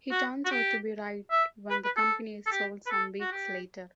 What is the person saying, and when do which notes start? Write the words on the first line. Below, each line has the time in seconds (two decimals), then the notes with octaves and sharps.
He turns out to be right when the company is sold some weeks later.
0.11 F#4
0.45 F#4
0.51 G4
1.31 E5
1.70 B4
1.84 B4
1.97 A4
2.46 A4
2.51 G4
2.86 B4
2.91 A4
3.20 F#4
3.31 G4